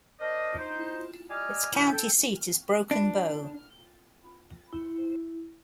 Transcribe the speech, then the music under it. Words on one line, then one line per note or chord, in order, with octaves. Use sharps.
Its county seat is Broken Bow.
D4 A#4 C5 D5 D#5
D#4 C5
G3 D#5 G#5 D6 F6
F#2 A2 D3 G3 D#4 E4
A4 G5
D4
E4